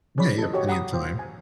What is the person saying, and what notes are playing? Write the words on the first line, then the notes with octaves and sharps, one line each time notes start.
Yeah you have plenty of time.
C#4 G#4 C#5 D5 B5
A4 D#5
F#4 G4 C#5 D#5
G4 F#5 A#5 B5 D#6
F4 C5 G5
G#5